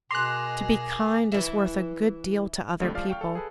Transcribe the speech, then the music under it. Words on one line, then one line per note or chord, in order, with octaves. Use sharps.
To be kind is worth a good deal to other people.
B2 A#3 G#4 C6 D6 F#6 A#6 F7
E3 E4
F2 D3 G3 A3
F3 G#3 D5 F5 F6
F5 G5 C#6 F6
A4
G#4 A4 B4